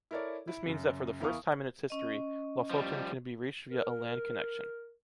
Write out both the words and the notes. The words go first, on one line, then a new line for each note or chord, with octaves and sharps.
This means that for the first time in its history, Lofoten can be reached via a land connection.
E4 A4 A#4 C#5 D5
E4
F#2 C#3
E2 E4 A#4 F5 C#6 D#6
C#4 D#5
F3 G3
A#4